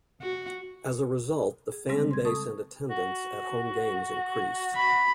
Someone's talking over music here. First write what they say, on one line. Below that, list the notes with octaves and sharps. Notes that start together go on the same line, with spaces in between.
As a result, the fan base and attendance at home games increased.
F#4
G#4
C#3 G3 G#3 C4
C6 G#6
A4 A5 C#6 D#6
F#4
B5